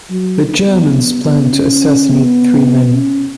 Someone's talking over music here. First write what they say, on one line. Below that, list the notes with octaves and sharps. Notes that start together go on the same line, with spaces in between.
The Germans planned to assassinate the three men.
F#3
B3
B3
C#4
B3
C#4